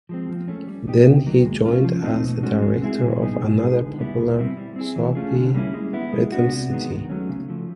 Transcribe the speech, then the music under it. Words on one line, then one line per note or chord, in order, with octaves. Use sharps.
Then he joined as the director of another popular soapie "Rhythm City".
F3 G#3 C4
F3
A3 C#4
G3
B3 D#4 G4
C3
D#3 F#3 A#3
G#3
C#4 F4
F3
A3 C4 D#4
B2
G#3 C#4 F#4
G#3
C4 E4 G#4
A#2
G3 B3 D#4 G#4
B2
G#3 B3 D#4 G#4
D3
G3 B3 E4
B2
G3 C4 E4 G4
G3
C4 E4 G#4
E3
A3 C#4 F4 G#4
D3
G3 A#3 C#4 E4
G#3
B3 E4
G#3
B3 D4 F#4
C3
D#3 G#3 B3
D#3
F#3 A3 C#4
C#3
F3 A3